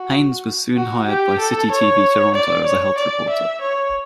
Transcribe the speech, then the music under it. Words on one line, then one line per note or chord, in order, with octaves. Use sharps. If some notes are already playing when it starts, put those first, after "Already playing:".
Haines was soon hired by Citytv Toronto as a health reporter.
Already playing: F#4
F#4
G4
A4
C#5
D5
C#5
D5
E5
C#5